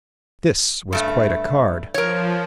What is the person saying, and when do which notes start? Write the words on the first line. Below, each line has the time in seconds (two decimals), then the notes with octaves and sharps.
This was quite a card.
0.93 G2 A3
1.94 F3 A#4 C#5